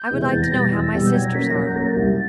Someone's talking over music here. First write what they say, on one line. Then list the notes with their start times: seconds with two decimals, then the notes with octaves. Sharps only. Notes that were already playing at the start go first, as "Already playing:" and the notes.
I would like to know how my sisters are.
Already playing: G6
0.11 C3 E3 G#3 B3
0.31 E2 A6
0.42 A#6
0.52 B2 G3 A6
0.62 A#6
0.72 E2 E6
0.93 B2 G3
1.05 G6
1.14 F#3 G#6
1.24 A#6
1.34 A#3 C#4 B6
1.45 A#6
1.55 F#3 F#6
1.66 G6
1.76 A#3 C#4 A#6
1.86 A6
1.96 C2